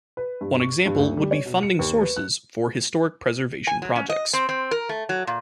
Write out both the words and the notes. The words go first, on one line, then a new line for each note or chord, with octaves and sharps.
One example would be funding sources for historic preservation projects.
B4
G2
C#6
G2
D2
G3
C#5
B2
C#7
D#2
B4
F#6
G#5
F#3
C#4
D#5
C4
C4
A#4
A3
F#3
A#2